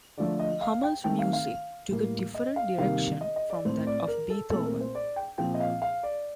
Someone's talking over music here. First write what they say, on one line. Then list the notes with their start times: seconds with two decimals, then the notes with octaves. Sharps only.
Hummel's music took a different direction from that of Beethoven.
0.17 D3 F3 A3 D5
0.39 D#5
0.61 F5
0.83 G5
1.04 D#3 A3 C4 G5
1.19 F5
1.33 F5
1.91 A2 G3 A#3
2.34 D#5
2.56 F5
2.78 C3 D#3 G3 A#3 F5
3.21 D#5
3.36 D#5
3.50 D5
3.65 A2 A3 C4 C5
3.87 D5
4.08 A#4
4.30 A4
4.51 A#2 A3 C4 A4
4.66 A#4
4.80 C5
4.95 D5
5.16 G5
5.38 A#2 F3 C4 G5
5.54 D#5
5.60 F5
5.82 F5
6.03 D5